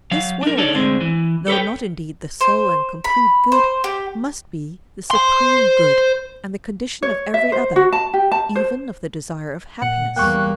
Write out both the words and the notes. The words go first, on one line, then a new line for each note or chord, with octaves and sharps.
This will then, though not indeed the sole and complete good, must be the supreme good and the condition of every other, even of the desire of happiness.
F#3 F5
D4 A#4
D4 D#4 A4 C#5 D5
D2 G#3 C4 D4
E3
A4 B4 C#5 G5
C5
B5
C5
G4
C5 C6
C#5
E5
C5
F#4
A5
G4
A5
C5
A#2 F#5
E2 G3 A#3 G5 C#6 F#6